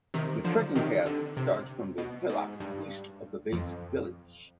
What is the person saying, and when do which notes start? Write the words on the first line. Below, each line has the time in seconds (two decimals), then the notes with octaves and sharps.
The trekking path starts from the hillock east of the base village.
0.14 C3 D#3
0.44 D3 F3
0.75 C3 D#3
1.06 D3
1.37 C3
1.98 B2
2.30 G#2
2.60 G2
3.52 F2